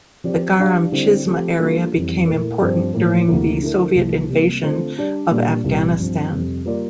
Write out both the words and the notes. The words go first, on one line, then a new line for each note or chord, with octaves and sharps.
The Garam Chishma area became important during the Soviet invasion of Afghanistan.
F3 C4 G4 D5
G3 D4 G4 D5 F5
D3 G3 C4 E4
F3 A3 C4 G4
G3 A#3 D4 F4 A4
F2 E3 G3
A#2 A3 E4 A#4
G2 F3 C4 G4 C5
A2 E3 A#3
D2 C3 F3 A#3 E4
D3 A3 E4 A#4
C2 C3 F3 A#3 E4
C3 G3 A#3
D3 A3 C4 F4 C5
G3 D4 G4 D5
A#2 G3 A#3 D4
C2 A#2 G3 A#3 E4
G2 F3 C4
F2 C3 G3
G3 A#3 F4 A#4 D5